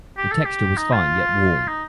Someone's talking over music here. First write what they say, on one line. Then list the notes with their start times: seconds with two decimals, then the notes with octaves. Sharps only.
The texture was fine yet warm.
0.18 G4
0.32 A4
0.45 G4
0.77 D#4
0.93 F4
1.68 D#4